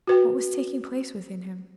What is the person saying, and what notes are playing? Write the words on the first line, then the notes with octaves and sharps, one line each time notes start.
What was taking place within him?
F#4 B4 G5